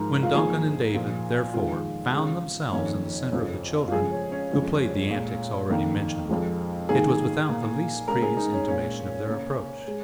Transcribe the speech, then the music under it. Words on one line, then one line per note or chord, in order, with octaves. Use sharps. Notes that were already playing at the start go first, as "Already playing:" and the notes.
When Duncan and David, therefore, found themselves in the center of the children, who played the antics already mentioned, it was without the least previous intimation of their approach.
Already playing: G#2 F3 G#3 A#4
F4
G#2 F3 A#3 G#4
A#2 F3 A#3
F2 D#3 G#3 F4
C#3 G#3
F2 D#3 A#3 C#4
F2 C#3 F3
F4
C#3 F3 G#3 G#4
C#4
C#4
F2 C#3 F3 G#3
A#2 G#3
F2 D#3 A#3
F2 F3 G#3
G#2 D#3 A#3 G#4
A#2 A#3
C#3 G#3 A#4
G#4
D#4
C#4
A#2 G#3 C#4
C#3 A#3
G#3